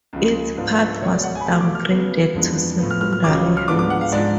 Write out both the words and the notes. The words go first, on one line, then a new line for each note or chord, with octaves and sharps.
Its path was downgraded to secondary roads.
C#2 C#3 F3 G#3
G#2 F3 B3 D4 F4
C#2 B2 G#3 C#4 C#5
D5
F#5
G#5
B5
B2 A3 F4 A5
D6
F6
C#3 F#3 B3
F2 F3 G#3 B3 D4
A2 F3 B3
F6
F6
F6
C#2 C#3 F#3 C#4 F4 D6
F6
G#2 F3 B3 D4 D6
D6
F#5
F5
G#2 F3 G#3 D4 D5